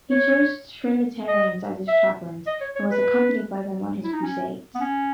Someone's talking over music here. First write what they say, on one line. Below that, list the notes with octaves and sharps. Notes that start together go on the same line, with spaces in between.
He chose Trinitarians as his chaplains, and was accompanied by them on his crusades.
C#5
D#5
E5
D#5
C#5
C#5
B4
E4
D#4
C#4
B3
C#4